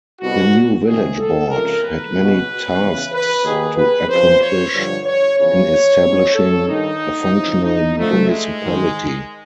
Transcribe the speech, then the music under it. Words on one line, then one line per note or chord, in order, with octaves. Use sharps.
The new village board had many tasks to accomplish in establishing a functional municipality.
C2 B2 F#4
C#2 C3 D#3 G#4
A4
C#2 C3 F3 A#4
B4
C#2 B2
E2 C#3 E3
B4
D#2 D#3 G#4
B4
F2 C#3 F3 C5
C#5
G2 D3 F3
C#5
E2 C#3 F3 C#5
G#2 F3
A4
G2 D#3 D#4
F2 C#3 E3
D#4
D2 D3 F3 A3
G#3
G#2 D#3